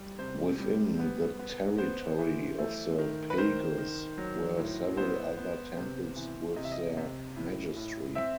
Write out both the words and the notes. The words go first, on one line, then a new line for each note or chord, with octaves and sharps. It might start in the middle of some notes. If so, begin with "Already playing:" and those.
Within the territory of the "pagus" were several other temples with their "magistri".
Already playing: G3
C3 C5
G3
B3
B3
B3 C5
E3
A3
D#3
B4
D#3 C5
D#3
F#3
A2
B3 C5
B3
C3
E3
C3 D#5
E5
D#5
C3
A2
A2
C4 E5